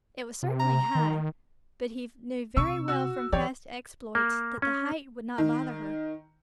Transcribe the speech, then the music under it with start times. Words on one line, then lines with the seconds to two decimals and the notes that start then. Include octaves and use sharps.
It was certainly high, but he knew very well from past exploits that the height would not bother her.
0.43 C3
0.60 A#5
0.95 D#3
2.57 C3 C#6 E6
2.88 F#4 E6
3.32 E3 G4 C#5 D5
4.15 A#3
4.62 C#4
5.38 D#3